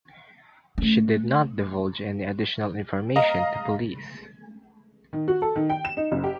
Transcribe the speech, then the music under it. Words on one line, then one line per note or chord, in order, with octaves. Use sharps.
She did not divulge any additional information to police.
A3 C#4
D#5 F5 A#5
D#3
F#4
A4
D#3
G5
E7
D#4
F#1
G4